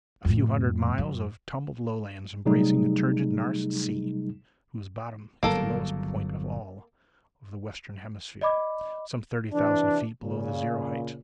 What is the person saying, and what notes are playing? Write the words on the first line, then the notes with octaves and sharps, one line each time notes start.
A few hundred miles of tumbled Lowlands, embracing the turgid Nares Sea, whose bottom is the lowest point of all the Western Hemisphere--some thirty thousand feet below the zero-height.
F2 A2
F#2
C3 F#3 G3 A3 D#4 G#4
G1 C#3 F#3 A#3 A4 A#4
D5 D#5 B5 D6
C3 E3 D4
A#2 C#3